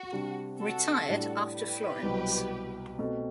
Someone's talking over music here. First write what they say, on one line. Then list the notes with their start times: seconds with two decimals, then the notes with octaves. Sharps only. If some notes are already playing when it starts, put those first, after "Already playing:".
Retired after Florence.
Already playing: F#4
0.13 C3 G3 D4
0.60 F#4 A4
1.09 A2 G3 D4
1.55 G4 B4
2.03 C2 B2 F#3
2.98 B2 A3 C4